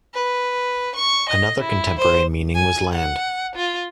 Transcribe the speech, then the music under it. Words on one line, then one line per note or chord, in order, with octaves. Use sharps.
Another contemporary meaning was land.
B4
C#6
D#5
E4
C5
G#5
F#5
F4